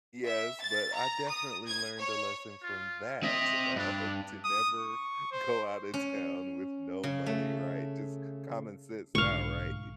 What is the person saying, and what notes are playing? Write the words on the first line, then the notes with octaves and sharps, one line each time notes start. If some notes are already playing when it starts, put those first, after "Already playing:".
Yes. But I definitely learned a lesson from that. Uh, to never go outta town with no money, right? Just common sense now, right?
E5
A6
A#5
D#6
G#6
C#5
F4
C4 D#5 E5
G2 D4
D#6
C#6
C5
C#4
C#3
A3
B1 G#2 D3 F5 C#6